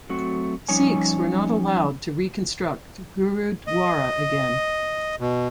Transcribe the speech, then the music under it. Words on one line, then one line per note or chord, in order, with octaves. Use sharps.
Sikhs were not allowed to reconstruct Gurudwara again.
F#3 A3 C4 F#4
F3 G3 C#4 D#4 C#5 G#5
D#5
B2